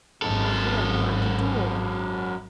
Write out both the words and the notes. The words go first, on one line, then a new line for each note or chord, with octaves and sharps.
'I hear her at the door!'
G#1 F#2 A4